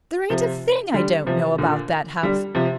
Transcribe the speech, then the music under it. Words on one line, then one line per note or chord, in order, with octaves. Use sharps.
There ain't a thing I don't know about that house.
C3 F3
D3 G3
C3 F3
A#2 D3
D3 G3
C3 F3